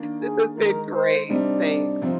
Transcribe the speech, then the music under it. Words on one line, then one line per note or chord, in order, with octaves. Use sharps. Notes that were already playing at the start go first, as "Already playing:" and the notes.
This has been great, thanks.
Already playing: D#3 A#3 D4
G#4
D#3 G#3 D#4 A#4
C5
C3 G3 C4 D4 D#4
C3 F3 C4 D#4